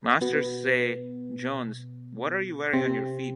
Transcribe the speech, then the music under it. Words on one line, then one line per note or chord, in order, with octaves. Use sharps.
Masters say, "Jones, what are you wearing on your feet?"
B2 B3
C3 C4